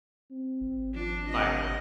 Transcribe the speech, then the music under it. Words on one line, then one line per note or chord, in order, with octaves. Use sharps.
That's just my opinion.
C4
G#1
F3 D4
C3 D#5